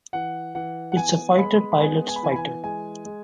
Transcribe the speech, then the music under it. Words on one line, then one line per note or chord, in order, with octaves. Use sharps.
It's a fighter pilot's fighter.
E3 F#5
E3 F#5
F#5
B3 G#5
G#3 B5
B5
B3 G#5
G#5
B5
E3 G#5
B5
G#5
G#3 G#5
G#3